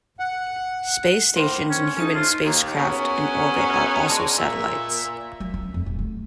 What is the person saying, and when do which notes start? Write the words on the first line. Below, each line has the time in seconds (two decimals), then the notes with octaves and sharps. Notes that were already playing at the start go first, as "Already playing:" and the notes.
Space stations and human spacecraft in orbit are also satellites.
0.19 F#5
1.36 A2 A#3 C5
1.70 C#4
1.97 C#4 D#4 A4
2.14 A3 F4 C5
2.45 D#2
2.77 B3 C#4 E4 F#4 G#4 A#4
4.08 G#3 D4
4.38 A#2 E5
5.40 F#3
5.54 C#4
5.74 F2
5.86 D#1
5.99 A3